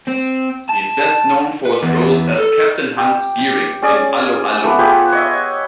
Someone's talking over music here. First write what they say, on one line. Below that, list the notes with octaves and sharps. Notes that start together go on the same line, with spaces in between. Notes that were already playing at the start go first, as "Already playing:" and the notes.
He is best known for his roles as Captain Hans Geering in 'Allo 'Allo!
C4
A5
B4
E2
A4
G4
C#4 G#4 D5
A3 B3 D6
F4 G4 G#4 B4
C#5 D#5 E5